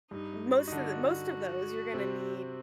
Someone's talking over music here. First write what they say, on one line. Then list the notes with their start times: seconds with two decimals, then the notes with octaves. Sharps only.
most of the most of those, you're gonna need
0.11 G2 G3 D#4
0.58 F#4
0.68 D#4
0.72 D3 D4
1.94 C3 C4